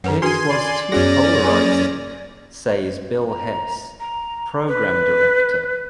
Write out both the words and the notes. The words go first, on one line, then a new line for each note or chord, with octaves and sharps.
"It was too polarizing," says Bill Hess, program director.
F#2 D#3 B4 F#5
D4 F#4 G#4 B4 G#5 C6
D5
F#2 B3 C#4 F#4 G#4 A#6
A#3 G#4 G#5
A#5
A#5
B4